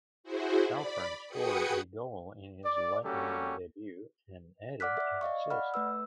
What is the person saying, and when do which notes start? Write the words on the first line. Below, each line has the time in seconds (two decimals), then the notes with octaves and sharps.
Halpern scored a goal in his Lightning debut, and added an assist.
0.24 E4 F#4 G#4 C5
0.69 D5 B5
1.27 F#4 G#4 B4 G5 D#6 C#7
2.64 D5
3.03 G3 A#3 C#4 F#4 G4 A4
4.80 D5 F#5 D6 F6 F#6 B6
4.97 D5 E5
5.21 D5 D#5 F5 C#6
5.50 D5 F#5 B5 F6
5.74 A3 B4 E6